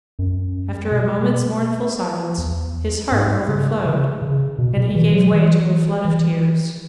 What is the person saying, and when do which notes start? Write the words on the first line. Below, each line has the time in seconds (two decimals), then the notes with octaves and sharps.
After a moment's mournful silence, his heart overflowed, and he gave way to a flood of tears.
0.19 F#2
0.91 B2
2.38 E2
3.12 G#2
3.48 C#3
3.85 C#3
4.22 C#3
4.58 B2
4.77 B2
4.95 E3
5.13 F#3
5.32 E3
6.05 E3